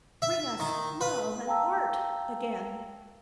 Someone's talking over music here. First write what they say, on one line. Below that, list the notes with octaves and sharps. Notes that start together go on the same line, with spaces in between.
Bring us love and art again!
E5
D#3
B4
F5 G5 A5 A#5 E6